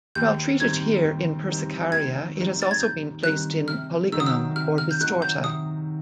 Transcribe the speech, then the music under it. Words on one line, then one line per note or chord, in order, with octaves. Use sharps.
While treated here in "Persicaria", it has also been placed in "Polygonum" or "Bistorta".
D#2 G6
D#3 G3 C4 G#6
D#2
D#3 G3 C4
D#2 G#6
D#3 G3 C4
A6
G#6
D#2 G6
D#3 G3 C4 F#6
C3 F6
D#3 F#3 E6
D#6
E6
C3 F6
F6
G6
D#3 F#3 F#6
G6
C3 D#6